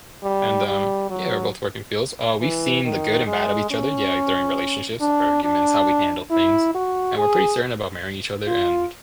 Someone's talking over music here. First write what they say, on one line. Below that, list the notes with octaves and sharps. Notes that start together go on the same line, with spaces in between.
and, um, yeah, we're both work in fields, uh, we've seen the good and bad of each other, yeah, during relationships, arguments, how we handle things, and we're pretty certain about marrying each other and,
G3
G3
F#3
E3
D#3
G#3
C#4
D4
D4
E4
F#4
G#4
F4